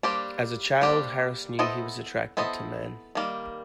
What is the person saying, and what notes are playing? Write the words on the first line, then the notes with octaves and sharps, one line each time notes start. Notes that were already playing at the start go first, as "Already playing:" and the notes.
As a child, Harris knew he was attracted to men.
G3 A#3 D4 G4 C5
G3 A#3 D4 G4 C5
B3 E4 A4 C5 D#5
B3 E4 A4 C5 D#5
D#3 G3 A#3